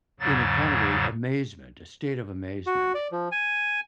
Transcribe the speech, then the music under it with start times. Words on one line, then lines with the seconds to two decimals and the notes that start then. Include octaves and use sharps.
in a kind of a amazement, a state of amazement,
0.20 E2 G#2 C#3 F#3 A6
2.67 F#4
2.94 D5
3.12 F3
3.32 G#5